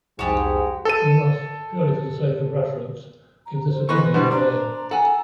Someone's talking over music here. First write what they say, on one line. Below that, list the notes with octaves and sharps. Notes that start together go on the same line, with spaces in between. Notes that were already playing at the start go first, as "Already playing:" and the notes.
We must, purely for the sake of reference, give this opinion a name.
C2 F2 G#2 G#3 F#4 G4 A5
A4 D#7
A#5
C5
E3 F3 B3 B4 D#5 C#6
B2 D3 G3 C5 F#5
D4 A#5
A4 F#5 G#5